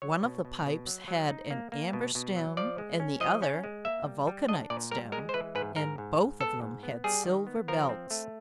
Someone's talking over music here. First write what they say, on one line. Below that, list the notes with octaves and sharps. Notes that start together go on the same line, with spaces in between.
One of the pipes had an amber stem and the other a vulcanite stem, and both of them had silver belts.
F#3 C#5
B2
B2
B2
F#3
F#3
D#4
A#3
A#3
B2
B2
F#3
F3 D5
G#3
C#4
F3 D#5
C#4
G#3
A#3 E5
G3
G3
D4 D#5
A#2 D5
G3 A#4
G#3 A#4
C5
E3 B4
G#2 B4
G#2 A#4
G#2
G#2
B3 A4
G#2
B3
G3 G#4
D#3
B3
F3 A#4
C4
A3